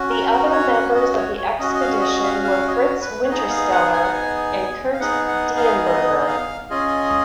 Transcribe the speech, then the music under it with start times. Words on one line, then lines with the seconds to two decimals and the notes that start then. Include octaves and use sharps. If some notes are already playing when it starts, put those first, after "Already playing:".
The other members of the expedition were: Fritz Wintersteller and Kurt Diemberger.
Already playing: C#4 F#4
0.10 A#4
0.31 A#4
0.52 C#5
0.73 F#5
0.95 D#5
1.16 C#5
1.37 C#5
1.59 C#4 F#4 D#5
1.74 D#5
1.81 F5
2.01 D#5
2.23 F5
2.44 F5
2.68 D#5
2.72 C#5
3.01 B4
3.25 C#5
3.29 B3 D#4 G#4 D#5
3.50 F5
3.72 F#5
3.93 G#5
4.03 F#5
4.13 G#5
4.93 F5
5.00 B3 D#4 G#4 F#5
5.28 F#5
5.57 F5
5.85 D#5
6.21 D#5
6.27 F5
6.70 C#4 F4 G#4 D#5